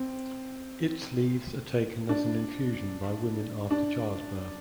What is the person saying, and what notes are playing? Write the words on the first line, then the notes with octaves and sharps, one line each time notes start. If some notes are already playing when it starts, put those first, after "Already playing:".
Its leaves are taken as an infusion by women after childbirth.
Already playing: C4
D4
D4